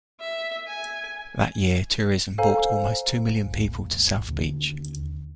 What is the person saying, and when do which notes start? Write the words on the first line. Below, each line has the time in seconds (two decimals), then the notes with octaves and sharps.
That year, tourism brought almost two million people to South Beach.
0.20 E5
0.67 G#5
2.38 A4 C5 F5 G#5 A#5
3.45 A#1 E2 A2
4.28 D#2 D3 C#4